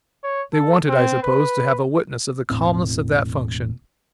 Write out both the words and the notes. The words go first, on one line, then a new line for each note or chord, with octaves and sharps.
They wanted, I suppose, to have a witness of the calmness of that function.
C#5
A4
C4
B4
E1 A2 C4